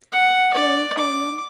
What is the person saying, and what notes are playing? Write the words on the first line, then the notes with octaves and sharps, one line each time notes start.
Low volume.
F#5
D5
D6